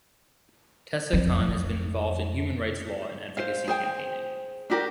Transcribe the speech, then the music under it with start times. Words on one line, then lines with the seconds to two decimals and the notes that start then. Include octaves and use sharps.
Tessa Khan has been involved in human rights law and advocacy campaigning.
1.13 F2
1.48 F2
3.37 C5 F5
3.68 G#4 C5 G5
4.70 D4 F#4 G4 A#4